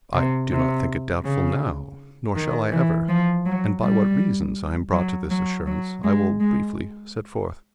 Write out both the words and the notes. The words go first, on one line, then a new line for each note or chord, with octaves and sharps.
'I do not think it doubtful now, nor shall I ever; and by what reasons I am brought to this assurance I will briefly set forth.
C3
C3
C#3
D#3
E3
F3
F#3
G3
F#3
F#3
F#3
G#3
G#3